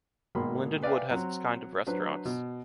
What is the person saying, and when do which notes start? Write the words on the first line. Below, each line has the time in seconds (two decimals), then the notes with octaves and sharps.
Lindenwood has its kind of restaurants.
0.35 G#1 B2 A#3 B5 C6
0.83 B4 D5 E5 F5 G5 G#5
1.11 F#3 C4
1.87 F#3 D4 B4 C5
2.25 B2